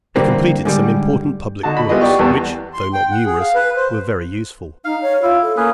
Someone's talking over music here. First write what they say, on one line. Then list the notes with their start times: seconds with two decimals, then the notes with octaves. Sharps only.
He completed some important public works, which, though not numerous, were very useful.
0.16 D3 E3 G3 A#3 C4
0.65 G#2 D3 G3
1.63 D3 D#4 F#4 A5
1.77 B5
1.89 G3 B3 E4 F4 G#4 D#5
2.01 G4 D5 G5 C#6
2.19 E2 G3 B3 A5
2.74 C6
2.93 G5
3.11 F#5
3.26 G#4
3.40 F5
3.55 B4
3.76 C5
4.85 D#4 F5
5.02 C#5
5.22 E4 F4
5.42 A4
5.57 A#3 C#4 G#4 B4